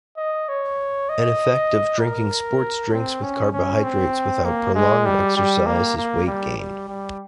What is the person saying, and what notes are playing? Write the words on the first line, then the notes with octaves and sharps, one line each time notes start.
An effect of drinking sports drinks with carbohydrates without prolonged exercise is weight gain.
D#5
C#5
D#5
A#4
C4
C#4
C#4
C4
A#3
G#3
G3
G3
A#3
A#3
G3
G3
G3